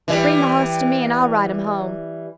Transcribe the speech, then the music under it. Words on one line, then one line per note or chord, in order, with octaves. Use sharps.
Bring the hoss to me, an' I'll ride him home.
E3 G3